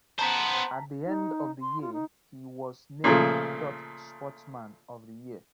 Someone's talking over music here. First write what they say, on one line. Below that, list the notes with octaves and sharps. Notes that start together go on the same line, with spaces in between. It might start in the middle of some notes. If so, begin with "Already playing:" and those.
At the end of the year he was named Dutch Sportsman of the year.
B3 C5 A5 A#5 B6
D#4
C6
F4
D#4
A#2 C#3 F3 A3